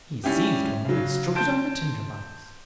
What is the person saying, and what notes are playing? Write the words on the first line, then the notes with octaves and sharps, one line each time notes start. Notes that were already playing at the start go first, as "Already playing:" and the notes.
He seized one and struck it on the tinder-box.
G3 C#4 E4 G4
C#3 F#3
A5 C6 G6 D7